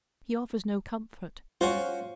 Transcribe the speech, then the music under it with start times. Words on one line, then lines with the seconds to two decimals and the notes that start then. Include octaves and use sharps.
He offers no comfort.
1.61 C#4 F4 F#4 C5